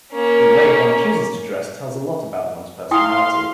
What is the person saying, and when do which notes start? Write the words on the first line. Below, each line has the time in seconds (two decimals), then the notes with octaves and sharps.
The way one chooses to dress tells a lot about one's personality.
0.13 A#3 C#4
2.91 E4 F5 G5 C6 D#6